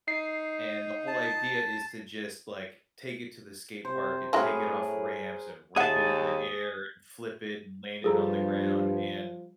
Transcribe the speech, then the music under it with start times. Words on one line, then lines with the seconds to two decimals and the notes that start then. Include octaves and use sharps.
And the whole idea is to just, like, take it to the skate park, and take it off ramps, and ramp it in the air, and flip it, and land it on the ground, and
0.08 D#4 C7
1.07 A5
3.85 C3 C5
4.33 A2 C4 E4 F#4 G#4 A#4 B4
5.76 D#2 G#4 D#5 E5 F#5 A5
8.04 G2 F3 G3 G#4 A4 A#5